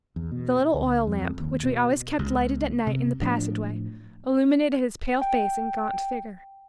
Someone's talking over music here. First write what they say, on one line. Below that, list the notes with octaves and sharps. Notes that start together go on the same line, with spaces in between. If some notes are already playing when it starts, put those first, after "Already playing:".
The little oil lamp, which we always kept lighted at night in the passageway, illuminated his pale face and gaunt figure.
E2
B2
D2
F2
D#2
B2
C#2
C3
A2 F3 D4
G5